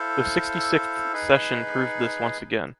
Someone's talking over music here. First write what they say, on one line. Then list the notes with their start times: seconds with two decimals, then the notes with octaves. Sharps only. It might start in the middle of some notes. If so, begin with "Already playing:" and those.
The sixty-sixth session proved this once again.
Already playing: E4 A4 C5 F5
1.13 D#4 G#4 B4